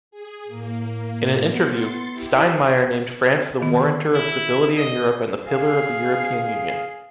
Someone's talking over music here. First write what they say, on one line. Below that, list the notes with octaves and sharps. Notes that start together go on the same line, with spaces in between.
In an interview, Steinmeier named France the warrantor of stability in Europe and the pillar of the European Union.
G#4
A2 A#3
B3 C6 A6 C#7
E4 G4
D#3 B3
E4
D#5
G#4 F5